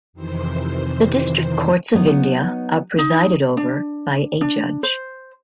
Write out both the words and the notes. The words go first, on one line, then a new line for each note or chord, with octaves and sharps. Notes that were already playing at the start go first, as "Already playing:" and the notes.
The District Courts of India are presided over by a judge.
F2 C3 D#3 E3 C5
F#3 B3 D#4
D#4
D4
D4
C5